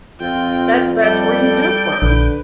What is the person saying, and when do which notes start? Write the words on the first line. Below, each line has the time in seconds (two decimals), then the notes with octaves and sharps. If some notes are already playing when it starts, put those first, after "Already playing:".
That that's where you come from,
0.21 F2 C4 F4 G5
1.03 G3 A4 D5 G6 D7
2.02 A#1 D3 B4